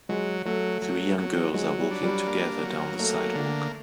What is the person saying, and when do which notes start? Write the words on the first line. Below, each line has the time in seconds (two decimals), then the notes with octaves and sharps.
Three young girls are walking together down the sidewalk.
0.09 F#3 G#3
0.45 F#3 A3
0.82 F#3
1.19 F#3
1.54 F#3 G#3
1.78 G3
1.91 D4
2.03 G3
2.27 A#3
2.63 F#3
2.99 A3 A#3
3.35 D3